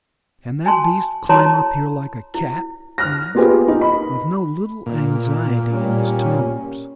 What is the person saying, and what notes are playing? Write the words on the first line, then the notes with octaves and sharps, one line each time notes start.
"Can that beast climb up here, like a cat?" he asked, with no little anxiety in his tones.
G#5 A5 C6
E4 A4 C#5 A5 A#5 C6
E4
F6 F#6 A#6
A#3 B3 F4 G4 G#4 B4
D#4
B5
A#2
G3 C#4